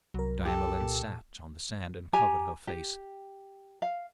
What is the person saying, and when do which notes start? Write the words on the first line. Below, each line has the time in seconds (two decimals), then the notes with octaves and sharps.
Diamelen sat on the sand and covered her face.
0.14 C2 F#3 A#4
0.45 G4 A4
0.80 A#2
2.13 G4 G#5 A#5
2.67 G4
3.82 F5